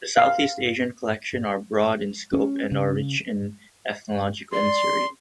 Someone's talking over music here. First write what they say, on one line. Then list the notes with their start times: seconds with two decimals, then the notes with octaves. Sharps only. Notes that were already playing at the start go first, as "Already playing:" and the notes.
The Southeast Asian collections are broad in scope and are rich in ethnological material.
0.17 F5
2.33 C#4
2.72 C#3
4.54 D5 C6